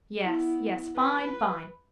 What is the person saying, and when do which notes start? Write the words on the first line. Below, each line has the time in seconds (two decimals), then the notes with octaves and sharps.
Yes, yes--fine, fine.
0.24 B3 E4
0.96 B4